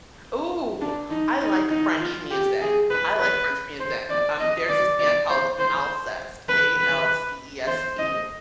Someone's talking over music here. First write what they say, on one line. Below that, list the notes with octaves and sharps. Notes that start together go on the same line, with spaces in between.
Ooh, I like French music. I like French music, um, there's this band called Alcest, A-L-C-E-S-T,
D4
D#4
D#4
D#4
F4
G4
G#4
B4
B4
C5
D5
D#5
D5
D5
C5
C5
B4
B4
C5
D#5